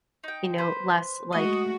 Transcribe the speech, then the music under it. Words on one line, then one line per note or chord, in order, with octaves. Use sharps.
you know, less, like,
D#4 G5
B4 C5
G#3 A3 F#4 D#5